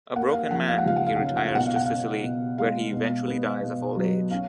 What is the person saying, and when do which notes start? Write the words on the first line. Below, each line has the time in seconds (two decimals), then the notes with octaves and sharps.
A broken man, he retires to Sicily, where he eventually dies of old age.
0.15 A#3 F#5
0.33 F5
0.51 F3 F#5
0.68 F5
0.78 F#5
0.86 C#2 F5
0.96 F#5
1.06 F5
1.16 C#3 F#5
1.26 F5
1.37 F#5
1.46 F5
1.55 B2 F#5
1.66 F5
1.76 F#5
1.86 C#4 F5
2.23 B2
2.58 G#3 F5
2.93 B2
3.28 B3
3.62 B2
3.96 F#3
4.31 C#4 F5